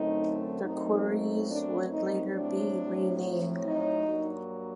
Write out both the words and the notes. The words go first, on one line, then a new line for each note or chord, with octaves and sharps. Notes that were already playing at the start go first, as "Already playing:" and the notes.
The quarries would later be renamed.
Already playing: F#2 D3 A3 C4 D#4
F#2 F#3 A3 C4 D#4
D#4
D4
D#4
A2 F#3 C4 D4
D#4
G2 F#3 A#3